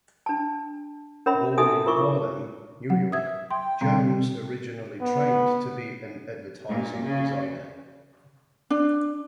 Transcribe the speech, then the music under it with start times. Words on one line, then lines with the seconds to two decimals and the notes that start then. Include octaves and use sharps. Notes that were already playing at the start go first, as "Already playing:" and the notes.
Born in Harlem, New York, Jones originally trained to be an advertising designer.
0.26 D4 A5
1.26 C#4 A#4 C#5 E5 B5
1.58 D#4 F#4 A4 E5 G#5 D#6
1.86 E4 F4 A#4 E5 C#6 D6
2.90 F#3 F#5
3.12 E5 D#6 G#6
3.51 G5 C6
3.81 B2 G3 C4
5.02 B3
6.69 A#2
7.03 C#3
8.70 D4